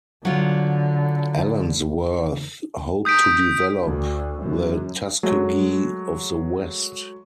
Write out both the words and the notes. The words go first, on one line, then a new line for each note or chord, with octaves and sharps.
Allensworth hoped to develop the "Tuskegee of the West".
D3 F#3 F4
D#6 G6 B6 D7
D2
F#2
F#3 G#3 A3